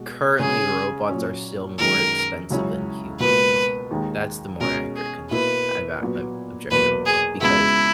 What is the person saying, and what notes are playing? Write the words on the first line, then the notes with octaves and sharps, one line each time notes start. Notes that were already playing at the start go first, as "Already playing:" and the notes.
currently, robots are still more expensive than humans. That's the more accurate cons I’ve got an objection I would make because
Already playing: B2 G#3 F#4
C#3 G#3 C#4 G#4
A#2 F#3 C#4
F#2 D#3 G#3 A#4
C#2 C#3 F#3 C#4 E4
C#2 B2 A#3 B4
D#2 D#3 G#3
B2 G#3 C#4 G#4 A#4
G#4
B2 A#3 E4 B4
A#2 F#3 B3 F#4
E2 B2 F#3 A#3 B4
G#4
C#2 C#3 G#3 B3 E4 F#4